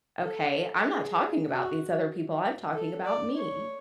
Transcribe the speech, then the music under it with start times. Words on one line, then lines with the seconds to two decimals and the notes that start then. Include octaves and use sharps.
okay. I'm not talking about these other people. I'm talking about me.
0.23 A4
0.86 G#4
1.49 F#4
2.74 A4
3.05 D5
3.36 C#5